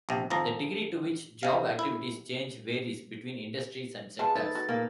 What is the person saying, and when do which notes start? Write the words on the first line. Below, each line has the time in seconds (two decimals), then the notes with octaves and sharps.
The degree to which job activities change varies between industries and sectors.
0.09 A#1 C3
0.30 G#1 F2 F3 A#5
1.43 C3 F5
1.79 E4
4.19 F3 G#3 G#4 B4 A5
4.35 D#4 A4 B4 E5 A6
4.55 F#4
4.69 A#2 A#3 A#4